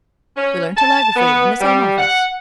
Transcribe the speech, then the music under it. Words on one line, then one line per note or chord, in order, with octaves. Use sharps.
We learned telegraphy in the same office.
C#4
A5
B3
G3
F#5